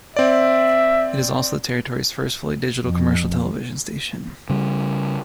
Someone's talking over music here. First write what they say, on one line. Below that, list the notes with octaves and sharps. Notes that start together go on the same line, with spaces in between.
It is also the territory's first fully digital commercial television station.
C4 D5 E5
F2
C#3 G3